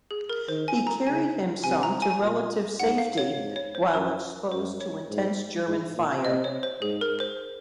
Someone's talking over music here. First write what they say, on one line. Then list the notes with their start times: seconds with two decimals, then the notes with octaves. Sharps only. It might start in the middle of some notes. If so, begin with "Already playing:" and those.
He carried him some to relative safety while exposed to intense German fire.
0.11 G#4
0.29 A#4
0.49 D#3 C5
0.68 G#5
0.87 A#5
1.07 C#3 G#5
1.64 C3 G#5
1.83 A#5
2.02 G#5
2.21 A#2
2.80 G#2 F#5
2.98 F5
3.18 C#5
3.37 G#2
3.56 C#5
3.75 C5
3.94 F#2 A#4
4.52 F#2 C5
4.81 C#5
5.09 G#2
5.67 G#2
5.96 A#2
6.25 C3 D#5
6.44 C#5
6.63 C5
6.82 G#2 G#4
7.01 A#4
7.20 C5